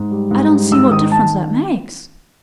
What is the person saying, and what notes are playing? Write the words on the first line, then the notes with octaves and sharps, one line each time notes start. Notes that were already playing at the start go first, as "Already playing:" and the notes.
"I don't see what difference that makes."
Already playing: G#2
G3
G#2
G3
G#2 E6
D#3 D#6
D#3 A5